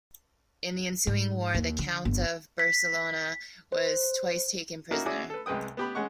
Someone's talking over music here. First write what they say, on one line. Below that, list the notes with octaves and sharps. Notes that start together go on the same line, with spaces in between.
In the ensuing war the Count of Barcelona was twice taken prisoner.
G#2
D#2
D3
G1
B6
C5
A#3 C#4 D#4 E4 F#4 A#4
C#4 E4 F#4 G#4 D5 G#5
A4 B4
C2 G#3 B4 G5 D#6
B3 G4 B5
G#3 C#4 F#5 C#6